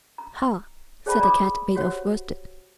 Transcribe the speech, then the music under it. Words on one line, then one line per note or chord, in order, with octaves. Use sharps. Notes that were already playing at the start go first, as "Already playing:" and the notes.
"Ha!" said the Cat-made-of-worsted.
A#5
G#4 C5 D5 G5 A5 B5
D5 A#5 B5 D6 D#6
F#4 G4 C5 C#5 F#5